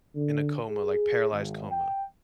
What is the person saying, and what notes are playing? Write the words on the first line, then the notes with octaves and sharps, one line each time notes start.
in a coma, like, paralyzed coma.
D3
G#4
G#1
G5